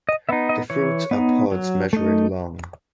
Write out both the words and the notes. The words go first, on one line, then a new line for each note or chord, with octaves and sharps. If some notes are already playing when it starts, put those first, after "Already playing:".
The fruits are pods measuring long.
D#5
B3 D#4 E5
D#5
E3 C#5
B3 D#4
F#3
A3 D#4